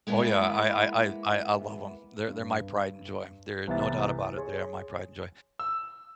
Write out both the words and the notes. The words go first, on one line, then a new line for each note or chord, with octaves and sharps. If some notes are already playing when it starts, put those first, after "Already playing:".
Oh, yeah, I I I I I love 'em, they're they're my pride and joy, there no doubt about it, they are my pride and joy.
G#3 A#3 B3 E4
G2
C2 E3 B3 E5 A6
G#4 C#5 C6
E6